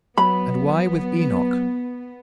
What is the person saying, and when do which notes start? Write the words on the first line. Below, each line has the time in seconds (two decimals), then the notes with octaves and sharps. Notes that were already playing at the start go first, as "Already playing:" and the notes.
"And why with Enoch?"
0.18 F#3 B3 B5